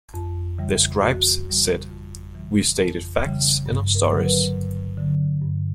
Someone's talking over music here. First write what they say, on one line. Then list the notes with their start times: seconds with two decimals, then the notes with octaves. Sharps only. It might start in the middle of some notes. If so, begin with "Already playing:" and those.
The scribes said: We stated facts in our stories.
0.14 F2
0.58 C#3 E3 G3
1.02 F2 F#4
1.46 C#3 E3 G3
1.89 F2
2.34 C#3 E3 G3
2.77 F2
3.22 C#3 E3 G3
3.66 G2
3.95 A#4
4.09 D3 F#3
4.24 B4
4.53 G2
4.98 D3 F#3
5.42 G2